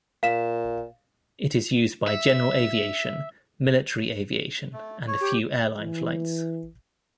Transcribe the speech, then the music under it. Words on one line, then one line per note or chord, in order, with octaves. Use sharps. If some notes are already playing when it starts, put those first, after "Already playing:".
It is used by general aviation, military aviation and a few airline flights.
A#2 F5 E7
E5
A3
C#5
G4
E3